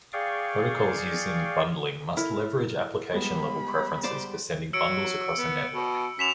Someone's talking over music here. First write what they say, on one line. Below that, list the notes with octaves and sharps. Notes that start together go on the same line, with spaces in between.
Protocols using bundling must leverage application-level preferences for sending bundles across a network.
G#4 D5 F5 G5 C#6
E4 A4 A#4 F6
G3 G#3 B3 B5
C5 D5 A5
F#3 E6 C#7 D7
B3
B2
F#2 B6 E7 F7